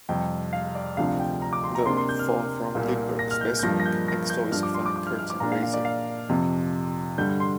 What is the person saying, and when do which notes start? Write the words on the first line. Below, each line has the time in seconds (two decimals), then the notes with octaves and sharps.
Though far from Lindberg's best work, "Expo" is a fine curtain-raiser.
0.09 F2 C3 G3 G5
0.53 F5
0.75 D5
0.97 D2 C3 F3 D4 F5
1.08 F5
1.20 G5
1.42 A#5
1.53 D6
1.64 C6
1.75 A#5
1.86 C3 A#3 D4 C6
1.97 C6
2.09 G6
2.19 F6
2.75 C2 A#2 A#3
3.19 A#6
3.31 F6
3.41 G6
3.59 G6
3.63 G2 F3 A#3 D4 A#6
3.80 A#6
3.86 G6
4.08 A#6
4.30 G6
4.52 G2 F3 D4 F6
4.63 D6
4.74 C6
4.86 D6
4.96 D6
5.07 F6
5.19 F6
5.30 D6
5.40 A#2 A#3 D4 A#5
5.52 F5
5.63 F5
5.74 D5
5.85 F5
6.29 F2 C3 F3
7.18 G2 D3 G3 G6
7.29 G6
7.40 C6